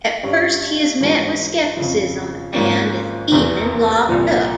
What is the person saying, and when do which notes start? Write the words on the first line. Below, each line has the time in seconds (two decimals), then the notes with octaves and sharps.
At first he is met with scepticism, and is even locked up.
0.23 G2 G3 C#4
1.00 G#2 E3 G3 C#4 F4
1.77 F2 C#3 F3
2.54 G#1 G#2 F3 A#3 C#4
3.32 F1 E2 C3 E3
4.09 C2 A#2 F3